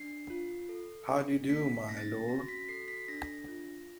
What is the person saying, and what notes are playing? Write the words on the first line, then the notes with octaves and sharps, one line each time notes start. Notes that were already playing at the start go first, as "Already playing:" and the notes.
How do you do, my Lord?
Already playing: D4 C7
F4
A4
D4
A#3 B6
C#4 A#6
A6
A#6
F#4 A#6
B6
A4 C7
B6
D4 A#6
F4